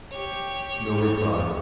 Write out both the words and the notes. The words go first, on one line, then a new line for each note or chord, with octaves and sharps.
No reply.
G4 C#5